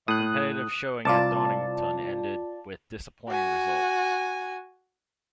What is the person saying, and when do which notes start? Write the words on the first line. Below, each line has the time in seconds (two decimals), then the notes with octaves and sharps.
A competitive showing at Donington ended with disappointing results.
0.08 A2 D#6 F#6
1.05 C2 F4 D5 A5
3.29 F#4 G#5